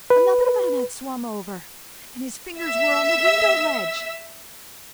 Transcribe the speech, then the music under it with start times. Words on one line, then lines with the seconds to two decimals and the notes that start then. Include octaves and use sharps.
Another man had swum over, and his fingers were on the window-ledge.
0.10 B4
2.60 E5 E6